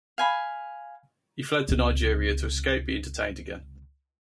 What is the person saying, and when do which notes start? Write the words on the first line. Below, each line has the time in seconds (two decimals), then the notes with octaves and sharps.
He fled to Nigeria to escape being detained again.
0.18 F5 G#5 B5
1.69 C#2 C3